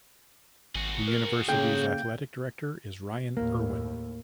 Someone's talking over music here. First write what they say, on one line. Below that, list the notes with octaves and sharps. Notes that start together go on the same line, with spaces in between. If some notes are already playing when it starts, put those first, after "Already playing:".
The university's athletic director is Ryan Erwin.
G#1 F#4 G#4
A#4
C#3 A#3 G5
D#2 A2 A#3